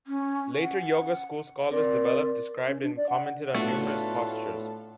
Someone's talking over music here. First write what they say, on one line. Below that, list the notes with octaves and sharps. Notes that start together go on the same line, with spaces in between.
Later yoga school scholars developed, described and commented on numerous postures.
C#4
F#5
C4 A#4 D5 C6
C#4
D4
D5
F#5
A2 A3 B3 D4 F4 F#4 A4